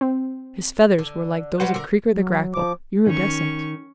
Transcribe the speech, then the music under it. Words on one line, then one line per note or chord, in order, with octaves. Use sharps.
His feathers were like those of Creaker the Grackle--iridescent.
C4
D3
F#3 G3 F#4 B4 C5 F#5
D3 A#4
F#3
F3 D6
D#3 C#4 C#6